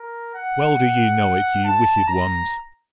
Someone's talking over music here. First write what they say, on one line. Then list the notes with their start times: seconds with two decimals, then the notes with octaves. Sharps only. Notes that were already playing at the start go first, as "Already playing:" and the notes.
Well do ye know it, ye Wicked Ones.
Already playing: A#4
0.35 F#5
1.64 A5
2.08 A#5